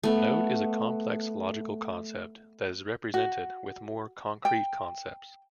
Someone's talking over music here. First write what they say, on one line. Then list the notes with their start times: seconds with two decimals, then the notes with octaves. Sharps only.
Node is a complex, logical concept that is represented with more concrete concepts.
0.03 A3 B3
3.14 F#4
4.45 G5